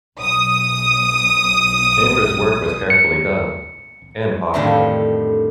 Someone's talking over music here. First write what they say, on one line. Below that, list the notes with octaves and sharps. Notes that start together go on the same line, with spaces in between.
Chambers' work was carefully done, and popular.
B1 D#6
C#7
F2 A2 D3 D#3 G3